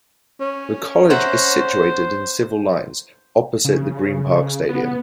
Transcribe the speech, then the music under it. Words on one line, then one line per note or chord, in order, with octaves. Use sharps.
The college is situated in Civil Lines, opposite the Green Park Stadium.
C#4
C5 E5 F#5 A#5
C#3
B3